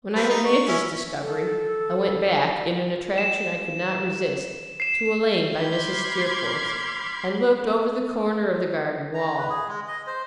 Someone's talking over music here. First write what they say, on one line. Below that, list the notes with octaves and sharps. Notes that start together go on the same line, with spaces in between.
When I had made this discovery, I went back, in an attraction I could not resist, to a lane by Mrs. Steerforth's, and looked over the corner of the garden wall.
G3 C4 B4
G3 D#4
C#6
C#4 E4
A4
E7
C7 E7
B5 C6 D6 F6 G6 G#6
A#5
B4
G#4
G#3
D#5
C5